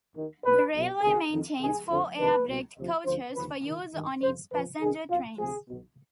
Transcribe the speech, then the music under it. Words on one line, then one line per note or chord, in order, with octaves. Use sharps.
The railway maintains four air-braked coaches for use on its passenger trains.
D#2 D#3
B1 B2 B4
B1 B2
D2 C3 D#3 G#4
F2 D#3
C2 C3 D#3 G#4
F2 D3 F3
F2 C3 D#3 B4
C2 B2
D2 C3 F3
D2 D3 F3 C5
D#2 D3 F3 B4
D#2 D#3
G#1 G2 D#3
F2 C3 F3 C5
F2 D3 F3 B4
C2 C3 D#3 G#4
B1 B2 F4
D2 C3 F3 G#4
B1 B2